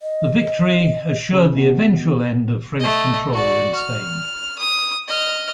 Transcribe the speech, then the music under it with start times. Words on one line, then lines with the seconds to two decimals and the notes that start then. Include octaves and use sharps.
The victory assured the eventual end of French control in Spain.
0.01 D#5
1.33 C#3
1.56 B2
2.80 A3 D#5
3.32 F#4 D5
3.75 F6
4.59 D#6
5.08 D#5 F6